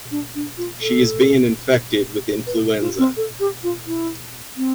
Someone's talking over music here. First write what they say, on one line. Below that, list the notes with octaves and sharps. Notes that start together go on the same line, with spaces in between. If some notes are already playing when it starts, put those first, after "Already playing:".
She is being infected with influenza.
D4
D4
F4
A4
B4
F4
C4
A4
G4
F4
E4
C4